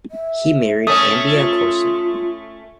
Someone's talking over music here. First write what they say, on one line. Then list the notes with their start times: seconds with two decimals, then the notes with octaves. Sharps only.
He married Ambia Corson.
0.11 E5
0.87 A3 C#4 D#6
1.30 F4